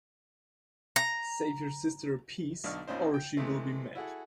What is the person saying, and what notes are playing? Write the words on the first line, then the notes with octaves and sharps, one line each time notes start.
Save you sister a piece, or she will be mad.
A#5
B1 D3 D#4 D5 C#6 F6
A#1 F2 C#4 D#4 C5
G5
C3 E3 G#3 A3
E4 F#4 G#4 A4